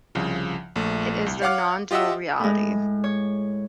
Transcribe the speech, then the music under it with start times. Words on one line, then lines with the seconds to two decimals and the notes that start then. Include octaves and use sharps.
It is the "nondual reality".
0.15 C2 C#3 F3
0.76 A#1 A3
1.26 C2
1.42 C#5 F5 F#5 D6 F6
1.91 F4 G4 D#5 E5 F#5 E6
2.39 A2 G#3
3.04 C#5